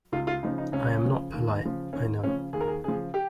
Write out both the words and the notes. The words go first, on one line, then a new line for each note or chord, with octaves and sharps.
I am not polite, I know.
C#2 F4
F4
C#3 F3 D#4
D#4
C#2 C#4
C#3 F3
D#2
C#3 F3
D#2 C#4
C#3 F3 C#4
D#2 G#4
A#4
G#4
C#3 F3 G#4
G4